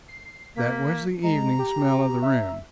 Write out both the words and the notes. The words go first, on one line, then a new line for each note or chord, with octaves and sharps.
That was the evening smell of the room.
C7
A#3 B6
G#3 A#5
G4
E5